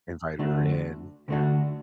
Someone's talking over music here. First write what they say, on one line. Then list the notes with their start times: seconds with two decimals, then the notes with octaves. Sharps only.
and invited her in. Yeah.
0.39 D2 D3 A3 D4 F#4
1.28 D2 D3 A3 D4 F#4